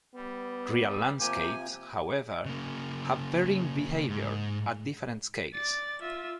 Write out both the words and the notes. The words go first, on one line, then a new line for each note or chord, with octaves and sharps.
Real landscapes however, have varying behaviour at different scales.
G3 B3
C3 F3 A#3 G4 G#5
C#3 A#3
G#2
D5 A6
F4 E5